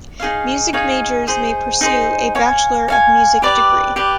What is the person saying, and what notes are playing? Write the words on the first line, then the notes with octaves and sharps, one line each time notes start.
Music majors may pursue a Bachelor of Music degree.
D#4 G#4 C#5 F5
D#4 G#4 C#5 F5
D#4 G#4 C5
D#4 G#4 C5
C#5 F5 G#5
C#5 F5 G#5
G4 B4 D5
G4 B4 D5